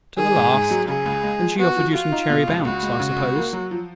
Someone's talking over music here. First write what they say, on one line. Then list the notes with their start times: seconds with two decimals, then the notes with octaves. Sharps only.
"To the last! and she offered you some cherry-bounce, I suppose."
0.17 D#3 G#4
0.35 G#2
0.53 G#2
0.71 F#3
0.88 C#3 G#4
1.06 C#2
1.24 G#3
1.41 F3
1.59 B3 F#4
1.76 F3
1.94 F4 F#4
2.12 D#4
2.30 B2
2.48 C#2
2.65 C#2 F#4
2.83 G#3
3.00 C#3
3.18 C#2
3.36 A#3
3.53 F#3
3.71 F3